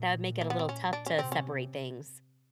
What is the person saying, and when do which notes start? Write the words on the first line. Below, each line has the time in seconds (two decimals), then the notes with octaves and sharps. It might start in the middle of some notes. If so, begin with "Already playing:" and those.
that would make it a little tough to separate things.
Already playing: A#2
0.41 A#3
0.50 B3
0.59 C4
0.69 C#4
0.93 D4
1.06 C#4
1.18 C3 C4
1.32 C#4